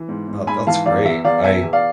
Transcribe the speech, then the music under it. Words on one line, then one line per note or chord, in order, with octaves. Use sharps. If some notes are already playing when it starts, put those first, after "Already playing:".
Oh, that's great. I
Already playing: E3
G#2
G#2
G#2 G#5 B5
E3 F5 A5
E2 D5 F5
E2 E5
E2 D5 F5
B2 E5 G#5
E2
D5 F5